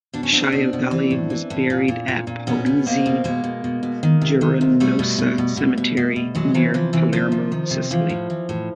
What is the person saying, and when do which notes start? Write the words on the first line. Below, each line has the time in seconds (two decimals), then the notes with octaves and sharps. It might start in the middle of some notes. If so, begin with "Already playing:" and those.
Schiavelli was buried at Polizzi Generosa Cemetery, near Palermo, Sicily.
0.14 B2 D4
0.23 C#4
0.32 B2 C4 D4
0.52 B2
0.73 B2
0.91 E3
1.11 A2
1.30 E3
1.50 A2
1.70 A#2
1.88 A#2
2.08 A#2
2.27 A#2
2.47 B2 B3 C#4
2.66 B2
2.86 B2 A#3 C4
3.06 B2
3.24 B2 G#3 A#3
3.44 B2
3.64 B2
3.83 B2
4.03 D#3
4.22 C3
4.41 D#3
4.61 C3
4.80 B2 G3 A3
4.99 B2
5.18 B2
5.38 B2
5.57 B2
5.78 B2
5.97 B2
6.16 B2
6.35 E3 F#3 G#3
6.54 C3 E3 F#3
6.74 E3 F3
6.93 C3 E3
7.13 D#3 F3
7.32 C3
7.52 D#3
7.71 C3
7.90 E3 F3
8.09 A2
8.30 E3
8.49 A2